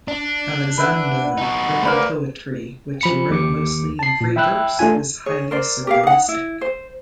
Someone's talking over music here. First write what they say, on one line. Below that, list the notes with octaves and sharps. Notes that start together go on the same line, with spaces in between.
Aleixandre's early poetry, which he wrote mostly in free verse, is highly surrealistic.
D4
B4 E5 F#5
D#4 F#4
A3 A#3 B4 C5 D5
F3 B5 C#7
D#2 D6 C#7
A5 C7
A#2
E5 G5 B5 E6 F#6
A3 D4 F4 G#5
G#4 C#5
A#4 C5 D5
G4 A#4 F5
D#4 F#5
E4
C5